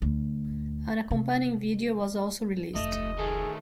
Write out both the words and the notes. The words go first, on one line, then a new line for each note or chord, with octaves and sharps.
An accompanying video was also released.
D2
C3
F1 D2 A3 D#5
D#3 A3 G#4